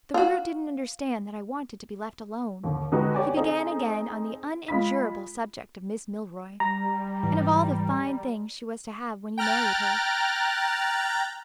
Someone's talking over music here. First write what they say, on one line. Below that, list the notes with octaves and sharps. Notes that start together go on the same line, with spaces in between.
The brute didn't understand that I wanted to be left alone; he began again on the unendurable subject of Miss Milroy, and of all the fine things she was to have when he married her.
F4 F#4
D#2 D3
D3 G#3 D#4 F#4 G4 B4
G4 C#5 D5 G#5
C4 D#4 G#4 A4
G#3 F4 B5 B6
G3 A#5
G#2 E3
G5 A#5 F6 F#6 A6